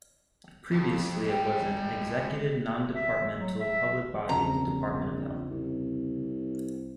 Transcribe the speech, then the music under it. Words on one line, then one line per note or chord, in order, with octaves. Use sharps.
Previously it was an executive non-departmental public body of the Department of Health.
F2
G#3 G5
E5
F#3
E5
A#1 E2 C#3 C4 A#5
C2